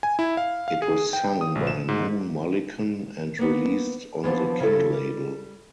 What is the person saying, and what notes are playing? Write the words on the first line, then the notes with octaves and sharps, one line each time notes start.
It was sung by Moon Mullican and released on the King label.
G#5
E4
F5
F5
G#4
G5
D#6
A#1
E7
G#2
A#3 B3
E3 F3 B3 C4 D4
C#3 E4 F4 A4
G3